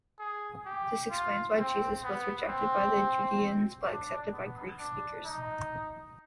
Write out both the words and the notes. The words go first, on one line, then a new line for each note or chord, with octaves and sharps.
This explains why Jesus was rejected by the Judeans but accepted by Greek speakers.
G#4
G4
F4
C4
B3
C4
D4
B3
D4
D#4